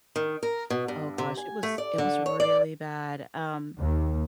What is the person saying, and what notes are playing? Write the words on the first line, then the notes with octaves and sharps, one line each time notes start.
oh gosh, it was it was really bad- um,
D#3
A#4
B2
G2
C3
G#5
A3
D5
D3
C#5
D5
D#2